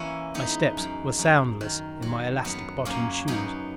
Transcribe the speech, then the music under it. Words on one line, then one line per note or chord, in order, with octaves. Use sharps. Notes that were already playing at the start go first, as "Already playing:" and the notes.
My steps were soundless in my elastic-bottomed shoes.
Already playing: E3 A#3 C#4 E4
G#3 B3 D#4
F#2
F#2
D#3
F#3
F#2 B3
F#2 A#3 C#4
F#2 B3 D#4